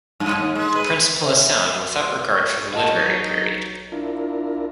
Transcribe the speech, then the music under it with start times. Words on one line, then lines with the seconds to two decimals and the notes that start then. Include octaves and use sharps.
The principle is sound without regard for the literary period.
0.20 G2
0.38 D#2
0.55 G#3
0.75 B4
1.21 C5 C#5 E5
1.95 C6
2.31 C#6
2.74 F4 F#4 D#5 A5
2.94 F#3 D#4 C#5
3.92 D4 E4 F4 A#4